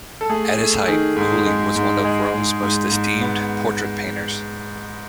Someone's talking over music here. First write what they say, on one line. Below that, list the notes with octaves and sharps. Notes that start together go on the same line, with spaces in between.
At his height, Gaulli was one of Rome's most esteemed portrait painters.
A4
A3 G#4
A3
D#3 G#4
G#2
G#3
G#2
G#3 G#4
G#3
G#2
G#2
B3